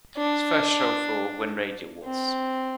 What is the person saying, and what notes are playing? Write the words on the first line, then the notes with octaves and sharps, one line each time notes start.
His first show for When Radio Was!
D4
C4